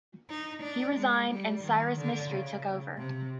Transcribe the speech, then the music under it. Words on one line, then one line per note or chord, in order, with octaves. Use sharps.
He resigned and Cyrus Mistry took over.
D#4
D4
G#3
G3
D#3
D3
C#3
C3